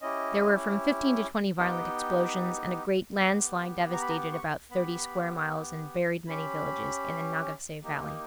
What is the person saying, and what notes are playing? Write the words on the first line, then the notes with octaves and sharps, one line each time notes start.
There were from fifteen to twenty violent explosions, and a great landslide devastated about thirty square miles and buried many villages in the Nagase Valley.
C#4 E4 G4 D#5
B3 D#4 G4 G5
B3 G4
A#5
B5
A#5
C#6
B3 G4 B5
C#4 G4 B5
A#3 D#4 G4